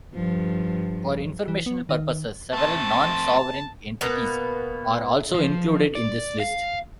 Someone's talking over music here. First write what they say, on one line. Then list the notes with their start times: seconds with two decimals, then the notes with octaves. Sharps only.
For informational purposes, several non-sovereign entities are also included in this list.
0.14 G2 F3
1.48 E3
1.66 B3
1.89 D#3
2.53 A3 C4 A5
4.01 B2 A#3 B3
5.34 F3
5.95 D5
6.40 F5